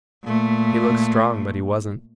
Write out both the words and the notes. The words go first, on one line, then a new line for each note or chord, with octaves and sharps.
He looked strong, but he wasn't.
A#2 A3